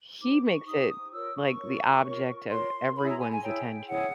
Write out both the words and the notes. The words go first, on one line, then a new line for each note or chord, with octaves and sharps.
He makes it, like, the object of everyone's attention.
D#4 G4 C5 D6
C#6
D#4 G4 C5 D#6
D#6
F4 A#4 C#5 E6
C#6
F4 A#4 C#5
F4 A#4 C#5
F4 A#4 C#5 C6
E4 G#4 C#5 B5
A#5
G#5
G#5
E4 G#4 C#5 G5
E4 G#4 C#5 F#5